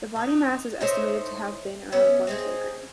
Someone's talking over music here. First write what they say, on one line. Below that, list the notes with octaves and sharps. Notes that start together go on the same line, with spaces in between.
The body mass is estimated to have been around one kilogram.
D#4
A2 D#4 C5 E5
B3 C#4 E5
C4 D#4 G#4